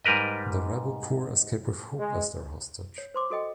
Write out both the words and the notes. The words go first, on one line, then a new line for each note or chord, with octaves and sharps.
The rebel poor escape with Hope as their hostage.
G#2 G3 A#4 B4 D#5
G#3
C#5
C5 C6 D6
F#4 A4 D#5 G5